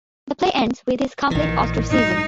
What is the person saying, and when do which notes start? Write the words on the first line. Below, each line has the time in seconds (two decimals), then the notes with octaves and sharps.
The play ends with his complete ostracism.
1.31 A#1 D#3 E3
1.91 G#2 D#4